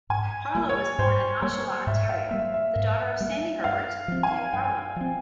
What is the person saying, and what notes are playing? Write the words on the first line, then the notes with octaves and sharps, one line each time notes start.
Harlow was born in Oshawa, Ontario, the daughter of Sandi Herbert and David Harlow.
G#2 G#5
G3 A#3
C#5
G#2 C5
G3 A#3 C#5
G#2 E5
F5
G3 A#3 E5
E5
G#2
G3 A#3
G2 F5
F3 C4
G#5
G2 G5
F3 C4